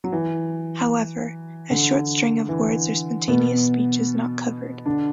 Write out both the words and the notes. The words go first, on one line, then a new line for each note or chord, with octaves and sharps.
However, a short string of words or spontaneous speech is not covered.
F#3
E3
D3
E3
B2 B3
D3 D4